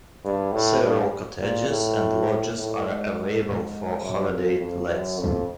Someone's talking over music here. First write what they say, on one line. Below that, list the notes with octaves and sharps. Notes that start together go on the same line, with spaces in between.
Several cottages and lodges are available for holiday lets.
G2
A2
G2
A#2
A2
A2
G#2
G#2
F#2
F2
F2
F#2
F2